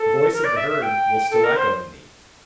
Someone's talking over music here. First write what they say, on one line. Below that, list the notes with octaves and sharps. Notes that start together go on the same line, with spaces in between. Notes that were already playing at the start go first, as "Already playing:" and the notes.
The voice of the herd will still echo in thee.
Already playing: A4
A#4
D5
E5
E5
G5
A4
A#4
C5